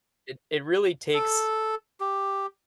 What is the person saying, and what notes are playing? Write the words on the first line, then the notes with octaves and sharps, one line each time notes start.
it it really takes
A4
G4